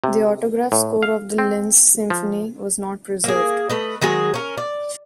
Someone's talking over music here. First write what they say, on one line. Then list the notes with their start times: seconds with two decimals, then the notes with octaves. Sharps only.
The autograph score of the "Linz Symphony" was not preserved.
0.04 C3
0.72 A2
1.03 F5
1.38 C4
2.10 F3
3.24 A#3 G#4
3.70 A3 B4 D#5
4.01 D#3 F#3 G#3 G#4
4.34 C#4 A#4
4.58 D5